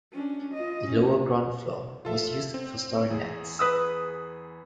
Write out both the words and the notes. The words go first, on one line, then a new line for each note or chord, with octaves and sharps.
The lower ground floor was used for storing nets.
C#4 D4
F4 D#5
C#4
F4 A4 E5
C4
E2 G#4
B4 D#6 E6